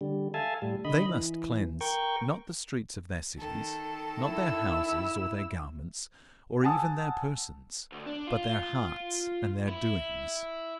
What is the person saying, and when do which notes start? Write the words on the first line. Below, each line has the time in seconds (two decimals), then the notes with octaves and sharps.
They must cleanse, not the streets of their cities, not their houses or their garments or even their persons, but their hearts and their doings.
0.01 D3 G3
0.34 A4 E5 F5 G#5 A5
0.62 A2 G3
0.85 D3 D#5 B5
1.09 E3
1.81 A#4 G5 C#6
3.37 D#3 A4
4.22 E4 E6
6.63 F#5 G#5 A5 D#6 E6
7.92 D2
8.06 D4
8.27 F4
9.68 E4